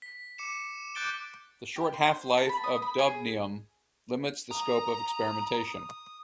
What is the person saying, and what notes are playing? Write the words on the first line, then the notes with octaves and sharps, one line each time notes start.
The short half-life of dubnium limits the scope of experimentation.
B6
D6 C#7 E7
D6 F#6 G6 A6 D7 G7
G4
C6
C5
A5
B5
D#6
B5
G#4
A#5 D#6